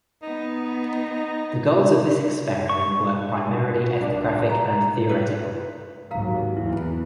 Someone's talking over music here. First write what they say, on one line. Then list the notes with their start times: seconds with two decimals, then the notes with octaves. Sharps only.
The goals of this experiment were primarily ethnographic and theoretical.
0.23 B3 D#4
2.69 C#6
4.01 D4
4.49 A#5
5.09 B4
6.11 D#2 G#2 F#3 A#4 F5 A#5
6.57 E2 E3 E4